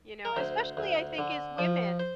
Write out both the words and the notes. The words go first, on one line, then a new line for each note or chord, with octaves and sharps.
you know, especially I think as women
A#4
D2 C5
D2
D3
F3
C5